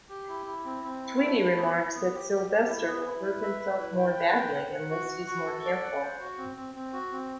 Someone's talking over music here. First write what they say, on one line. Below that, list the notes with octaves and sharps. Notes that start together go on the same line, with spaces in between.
Tweety remarks that Sylvester will hurt himself more badly unless he's more careful.
G4
E4
E4
C4
C4
E4
A3
E4
B3
E4
B3
G4
G4
G4
E4
B3
E4
B4
E5
B4
E4
G5
B4
G5
F#5
F#5
F#4
F#5
F#4
A4
D5
F#5
C5
F#4
C4
C4
C4
F#4
C4